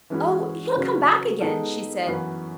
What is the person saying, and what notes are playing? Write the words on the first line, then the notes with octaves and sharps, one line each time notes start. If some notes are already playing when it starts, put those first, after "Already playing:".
"Oh, he'll come back again!" she said.
E3 G#3 C#4 F#4 B4
C#3 F#3 C#4
G#3 B3 D#4 A4
F#2 E3 B3 F#4 B4